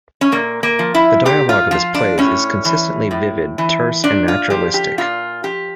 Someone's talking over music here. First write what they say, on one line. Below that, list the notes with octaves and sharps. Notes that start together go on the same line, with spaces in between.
The dialogue of his plays is consistently vivid, terse, and naturalistic.
C#4
A#2 A#3
A#3
F3
E4
A#2 G4
F4
F3 F4
D4
A2 C#4
E3
A2
E3
A#2 D4
F4
F3 G4
G4
A#2 F4
F3 G4